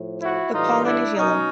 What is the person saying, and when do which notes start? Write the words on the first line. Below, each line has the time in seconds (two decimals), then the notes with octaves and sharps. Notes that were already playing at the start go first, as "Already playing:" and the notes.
The pollen is yellow.
Already playing: A2 F3
0.22 E4 F#4
0.53 A2 E3 G3 D#4 F4
0.85 D4 E4
1.16 B2 F#3 C#4 D#4